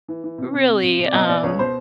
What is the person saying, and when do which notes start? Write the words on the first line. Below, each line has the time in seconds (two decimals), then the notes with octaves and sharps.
really, um,
0.08 E3
0.24 E3
0.38 C3
0.54 C3
0.68 C3
0.83 C3
0.99 C3
1.06 D5
1.13 B2 D#5
1.29 B2 D5
1.43 C#2 C#5
1.59 B2 C5